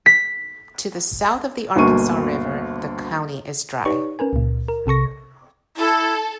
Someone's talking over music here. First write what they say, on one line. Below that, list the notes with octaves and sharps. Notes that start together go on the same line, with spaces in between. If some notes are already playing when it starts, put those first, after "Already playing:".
To the south of the Arkansas River, the county is dry.
B6
G1 D2 B2 A#3 C#6 D#7
D#4 G4 B4 C#5 D5 C#6
C#4 A#4 B4 G#5
C#2 A#2
A#4
B1 C3 A4 C#6 A#6
E4 A4